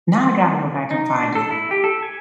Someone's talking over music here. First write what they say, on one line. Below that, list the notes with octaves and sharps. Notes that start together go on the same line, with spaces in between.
Now I gotta go back and find it.
D#4
D4
A4
E4
G4
A4
G#5